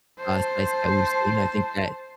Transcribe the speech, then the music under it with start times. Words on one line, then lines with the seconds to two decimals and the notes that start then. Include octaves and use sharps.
uh, sites that we've seen, I think that,
0.19 C5 A5